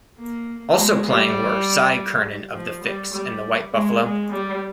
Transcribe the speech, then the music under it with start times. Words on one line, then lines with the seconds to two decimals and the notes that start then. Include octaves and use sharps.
Also playing were Cy Curnin of The Fixx, and The White Buffalo.
0.18 A#3
0.77 G#3
1.06 G3
2.54 F3
2.84 G3
3.13 G3
3.73 G#3
4.02 G#3
4.32 G3